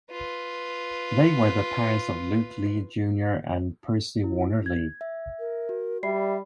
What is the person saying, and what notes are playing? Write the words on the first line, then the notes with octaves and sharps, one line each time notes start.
They were the parents of Luke Lea Junior and Percy Warner Lea.
F4 B4
E4
G#6
E5
A#4
F#4
G3 D5 E5 B5 C7